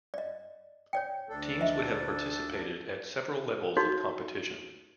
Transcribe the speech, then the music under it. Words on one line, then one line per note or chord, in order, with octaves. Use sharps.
Teams would have participated at several levels of competition.
D5 D#5
C#5 D5 G5
D2 D4 A4
D#5 E5
D#4 F#4 C#5